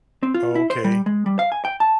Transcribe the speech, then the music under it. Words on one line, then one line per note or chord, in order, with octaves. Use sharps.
Oh, okay.
C4
F4
E4
C5
G3
G#3
G3
F5
G#5
G5
A5